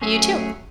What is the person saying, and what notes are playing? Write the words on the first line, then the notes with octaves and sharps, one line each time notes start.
You too.
F#3 A3 C#4 G#4